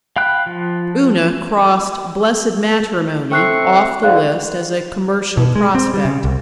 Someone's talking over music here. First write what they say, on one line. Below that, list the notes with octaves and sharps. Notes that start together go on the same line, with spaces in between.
Una crossed blessed matrimony off the list as a commercial prospect.
F5 G5 B5 F#6
F3
A3 C4 G5 C#6 F#6 C7
G#2 D3 D5 F5 F#6
B2
G#3
C4
G3
C#3
C2